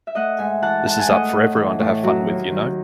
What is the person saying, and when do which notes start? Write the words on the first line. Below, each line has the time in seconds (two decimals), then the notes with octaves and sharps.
This is up for everyone to have fun with, you know?
0.07 E5
0.15 A3 D#5 F#5
0.39 G#2 E5 G#5
0.62 E3 F#5 A5
0.85 G#2 F#5 A5
0.99 G#5
1.09 A3 D#5 F#5
1.32 A2
1.56 E3
1.80 A2
2.03 F#3
2.27 D#2
2.50 D#3